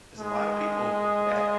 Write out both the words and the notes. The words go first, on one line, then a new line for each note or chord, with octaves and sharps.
There's a lotta people that
G#3